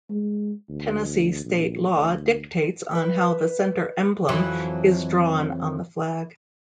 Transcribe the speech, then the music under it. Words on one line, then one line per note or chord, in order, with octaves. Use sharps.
Tennessee state law dictates on how the center emblem is drawn on the flag.
G#3
D2
A#1
D2
B4 E5
F2 E3 F#3